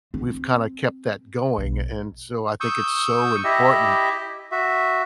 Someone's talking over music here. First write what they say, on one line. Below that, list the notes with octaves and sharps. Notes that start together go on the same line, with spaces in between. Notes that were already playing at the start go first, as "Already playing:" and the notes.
we've kinda kept that going, and so, I think it's so important,
C4
B1
C#6 D#6 E6 G6
E4 G4 D#5 E5
F#4 E5